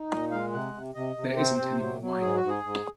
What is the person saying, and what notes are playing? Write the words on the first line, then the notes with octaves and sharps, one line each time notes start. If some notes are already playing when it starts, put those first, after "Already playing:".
There isn't any more wine.
Already playing: D#4
A#2 D#5
G#3 F5
C3 F#5
C3
C3 D#5
C3
C4 C5
C3
F#3
F#3
G#2 G#4
F#4
G#2
G#4
G#2